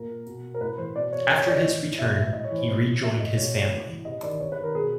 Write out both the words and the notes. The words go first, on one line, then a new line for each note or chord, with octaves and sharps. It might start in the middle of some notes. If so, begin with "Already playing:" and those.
After his return, he rejoined his family.
Already playing: A#2 A#4
B2
A#4
A2 B4
E3 C5
B2 D5
C#5
C3
C#5
D#3 D5
D#5
A2
E3
B2 E5
E5
A2 D#5
C#5
E3
C5
A#2 C5
B2 E5
D#5
B2 C#5
C#5
A2
E3
C3 D#5
D#3 D5
C3 C#5
B4
D#3
A#4
B2 G#4